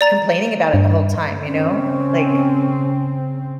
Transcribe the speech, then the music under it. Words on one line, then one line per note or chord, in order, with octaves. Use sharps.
complaining about it the whole time, you know? Like,
D5 A#5 A6
G2
C#3 C4 C#4